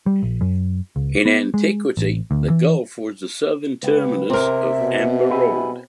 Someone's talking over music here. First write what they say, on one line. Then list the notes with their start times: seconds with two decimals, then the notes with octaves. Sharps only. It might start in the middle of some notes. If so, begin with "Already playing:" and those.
In antiquity the gulf was southern terminus of Amber Road.
0.06 G3
0.23 A#1
0.41 F#2
0.96 C#2
1.25 B3
1.54 G#3
1.97 A1
2.31 D2
2.50 E3
3.83 C#2 B4
4.30 C3 C4 A#4 E5
4.80 B2
5.30 E4 G4 G#4